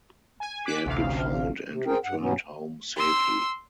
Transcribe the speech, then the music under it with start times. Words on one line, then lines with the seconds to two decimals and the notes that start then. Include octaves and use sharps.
He had been found and returned home safely.
0.40 G#5
0.66 D6 F#6 B6
0.85 A1 D2 C3 F5
1.69 C3
1.87 C4 G#4 A#4 G5
2.05 G2 F#5
2.20 G2 B2 F#3 B3 C#4
2.96 C6 E6